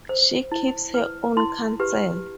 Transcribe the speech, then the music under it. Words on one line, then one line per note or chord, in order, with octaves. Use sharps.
She keeps her own counsel!
C5
E4
B4
E4 C6
G4 B4